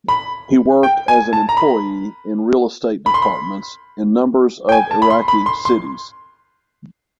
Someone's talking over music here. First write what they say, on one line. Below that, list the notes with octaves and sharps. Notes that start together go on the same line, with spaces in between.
He worked as an employee in real estate departments in numbers of Iraqi cities.
B5
G5
G#5
A5
A#5
B5
B5
C6
B5
G5
G#5
A5
B5
C6
B5
C6
C6